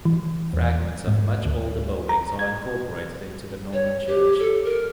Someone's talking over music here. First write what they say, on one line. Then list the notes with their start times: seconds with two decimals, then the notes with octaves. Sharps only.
Fragments of much older buildings are incorporated into the Norman church.
0.05 E3
0.54 E2
1.07 G#2
1.45 D2
2.09 A#5
2.39 G#6
3.73 C#5
4.08 G4
4.39 A4
4.65 A#4